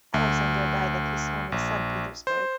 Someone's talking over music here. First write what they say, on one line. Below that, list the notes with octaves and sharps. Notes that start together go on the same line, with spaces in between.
Alexander died at his home in Saint Petersburg.
D2
A#1
C5